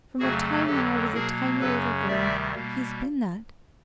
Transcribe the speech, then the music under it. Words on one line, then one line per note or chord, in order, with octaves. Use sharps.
From the time when I was a tiny little girl he has been that.
F2 C#3 F#3 A3 F#4 G#4
F2 D3 F#3 G4 A4
B2 F#3 A#3 G#4 A#4
F#2 C#3 F#3 A4 B4
D2 C3 D#3 G3 D5 E5
B2 G3 A#3